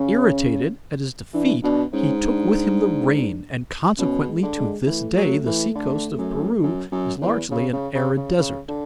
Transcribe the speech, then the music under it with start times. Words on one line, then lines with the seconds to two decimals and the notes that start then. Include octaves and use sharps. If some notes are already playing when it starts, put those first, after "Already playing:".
Irritated at his defeat he took with him the rain, and consequently to this day the sea-coast of Peru is largely an arid desert.
Already playing: C#3 C#4
1.34 E3 D4
1.63 B2 D4
1.93 G#2 C#4
2.22 D4
3.99 B2 C#4
4.28 G#3
4.43 D3
4.57 G#3
4.86 E3 A3
5.16 F#3
5.46 E3
5.75 D3
6.18 F#2
6.63 F#2
6.92 F#2
7.22 E2
7.51 C#3
7.73 C#3
7.95 C#3
8.17 C#3
8.39 C#3
8.68 D3